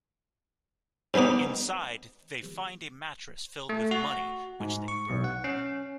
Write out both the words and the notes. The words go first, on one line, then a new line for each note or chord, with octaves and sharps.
Inside, they find a mattress filled with money-which they burn.
G#2 G#3 B3 D#4 D6
A3
F#4
G#2
C#6
B1
F#5
C#4